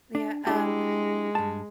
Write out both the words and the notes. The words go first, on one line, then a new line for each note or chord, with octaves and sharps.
Yeah, um,
D4
G#3 D4 E4 G4
G2 A5